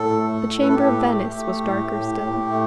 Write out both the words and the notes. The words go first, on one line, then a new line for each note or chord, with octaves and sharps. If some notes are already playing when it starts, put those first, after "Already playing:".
The chamber of Venice was darker still.
Already playing: A2 A4
A3
A2
B4
A4
A2 G4
A3
A3
A2
A2
A2
A3